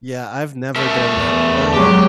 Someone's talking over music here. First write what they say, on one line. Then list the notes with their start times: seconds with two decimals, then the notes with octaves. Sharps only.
Yeah, I've never done that o Oh,
0.76 A3 A#4 E5
1.14 E2
1.74 F#3 G#3 G4